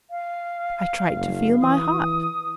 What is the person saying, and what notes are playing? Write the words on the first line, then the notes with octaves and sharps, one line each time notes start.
I tried to feel my heart.
F5
F#1
E3 D#6